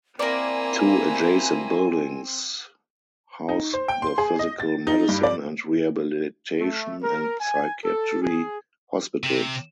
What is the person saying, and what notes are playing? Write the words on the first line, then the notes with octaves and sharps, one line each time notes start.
Two adjacent buildings house the physical medicine and rehabilitation and psychiatry hospitals.
A#3 C4 E4 A#4 D5 G#5
D#4
C5
G5
C6
G#4
D#5
A6
D#4
G2
D5
A3
A#4
G#5
A4
G#4
C3